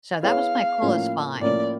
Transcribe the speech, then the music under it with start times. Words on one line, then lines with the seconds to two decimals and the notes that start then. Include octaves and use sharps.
So that was my coolest find.
0.22 B3 E4 G#4 C#5 F5
0.81 A2 F3 A#3 C#4
1.41 A2 F3 A#3 C#4 D5